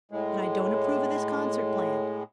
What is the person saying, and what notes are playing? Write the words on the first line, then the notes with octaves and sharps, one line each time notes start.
But I don't approve of this concert plan.
A2 G#3